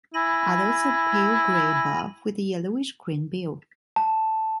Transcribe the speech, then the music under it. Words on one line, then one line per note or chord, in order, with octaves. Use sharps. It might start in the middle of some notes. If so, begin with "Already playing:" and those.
Adults are pale grey above, with a yellowish-green bill.
E4 G#5 B5 A#6
A5